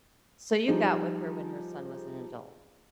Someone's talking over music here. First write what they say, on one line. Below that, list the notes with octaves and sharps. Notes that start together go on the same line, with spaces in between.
so you got with her when her son was an adult.
F3 G3 D#4 G#4